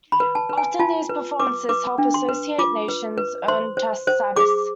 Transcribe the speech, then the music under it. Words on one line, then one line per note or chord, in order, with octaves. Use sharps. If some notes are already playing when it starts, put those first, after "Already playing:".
Often these performances help Associate nations earn Test Status.
B5
B4
A5
B4
G#5
F4 A5
B4
B4 D6
B4 D6
D4
C6
B4
F4 D6
B4
B4
C5 C6
C5
C5
G#4 D6